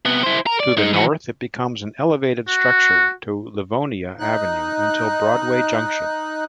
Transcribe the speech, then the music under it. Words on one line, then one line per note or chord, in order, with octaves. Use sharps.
To the north, it becomes an elevated structure to Livonia Avenue until Broadway Junction.
C3 B3
E4 C5
A#4
D5
G#3 D#4
E3 F#4
F#4
D#4 F#6